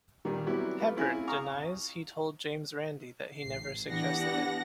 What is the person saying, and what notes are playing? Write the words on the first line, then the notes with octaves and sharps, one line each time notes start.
Heberd denies he told James Randi that he never suggested it.
A#2 D#3 G3
F#3 G3 B3 C4 E4 G4
A3 F4 B4
C4 C#4 E4 F4 G#4
F5 A#5 C#6 D#6 F6
A1 C7
E3 B3 D4 G4 F#5 A#6